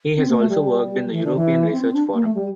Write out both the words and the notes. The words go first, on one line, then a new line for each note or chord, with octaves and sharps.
He has also worked in the European Research Forum.
C4
A#3
A3
G3
E3
D3
E3
C4
C4
D4
A#3
A3
G3